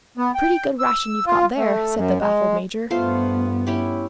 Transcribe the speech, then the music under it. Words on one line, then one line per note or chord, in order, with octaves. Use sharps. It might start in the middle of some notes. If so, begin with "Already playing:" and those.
"And a pretty good ration you've got there," said the baffled Major.
B3
G5
E6
F4
A3
F#2
G#3
G2 A3 B3 F4 C5
C#4 E4 G4